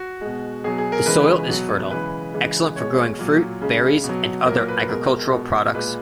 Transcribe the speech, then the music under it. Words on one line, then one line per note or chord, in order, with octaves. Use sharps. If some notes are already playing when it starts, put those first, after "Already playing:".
The soil is fertile, excellent for growing fruit, berries and other agricultural products.
Already playing: F#4
B2 G#3
B2 F#3 G#4
G#4
A#4
C#3 E3 G#3 B4
B2 F#3
C#3 E3 G#3 B4
C#3 E3 G#3
B2 G#3 C#5
A#2 F#3
C#3 G#3
B2
F#3
A#2 F#3 A#4
B4
B2 G#3 A#4
B2 G#3
A#2 G#3 B4